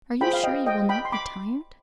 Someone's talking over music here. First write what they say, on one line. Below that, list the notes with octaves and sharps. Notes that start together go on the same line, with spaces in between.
Are you sure you will not be tired?'
F4 G#4 C5 G5 B5
F5
D#5 G5
D#5 G5
G5 B5
C6
B5 D6